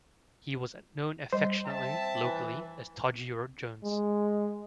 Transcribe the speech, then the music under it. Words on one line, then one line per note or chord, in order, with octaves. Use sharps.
He was known affectionately locally as 'Todger' Jones.
G3 C5 D#5
C4 E5 A5
E3
G#3